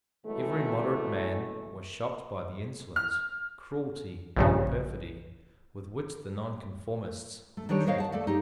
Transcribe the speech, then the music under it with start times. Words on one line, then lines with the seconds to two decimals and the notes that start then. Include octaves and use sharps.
Every moderate man was shocked by the insolence, cruelty, and perfidy with which the Nonconformists were treated.
0.25 F#2 B2 E3 G#3 A3
2.96 F6
4.37 A#1 G2 C#3
7.57 A3
7.69 D#3 G3 D4 G4 A#4 C#5
7.86 G#4 A#4 C5 C#5 D#5 F5
7.98 F#5 A5
8.12 A3 A4 D5 F5
8.27 D#4 G4 G#4